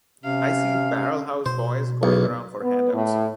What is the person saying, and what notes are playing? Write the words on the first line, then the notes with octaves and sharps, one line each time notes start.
I see barrel-house boys going around for handouts.
C3 C#4 F5
B2 C5
B1 E2
B3
A2